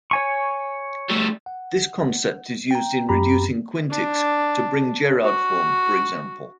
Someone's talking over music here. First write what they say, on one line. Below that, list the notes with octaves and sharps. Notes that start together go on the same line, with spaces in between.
This concept is used in reducing quintics to Bring-Jerrard form, for example.
C#5 G#5 C#6
G3 A3
F#5
G5 A#5
F#2 G4 A#5 B5
D4
F#4